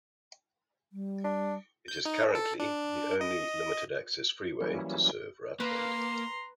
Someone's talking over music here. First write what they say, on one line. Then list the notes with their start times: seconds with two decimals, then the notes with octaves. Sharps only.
It is currently the only limited-access freeway to serve Rutland.
0.93 G3
1.24 D4
1.88 G6
2.05 D#4
2.35 A4
2.59 D4
3.21 D#5
4.61 E3 F#3 G3 A#3 C#4 E4
5.60 A#3 B4 A#5 C6